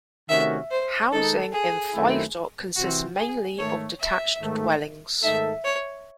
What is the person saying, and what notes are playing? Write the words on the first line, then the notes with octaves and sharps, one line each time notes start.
Housing in Five Dock consists mainly of detached dwellings.
C3 D#3 A3 C#4 F#4 E5
C5
D#3 G#3 D#4 A4
G#4
F#2 D#3 A3 C4 E4
C3 E3 C4 F#4
G#4
G#2 D#3 A3 C#5
E5
G#2 D#3 A3
G#2 D#3 A3 D#4 A4 E5
C#5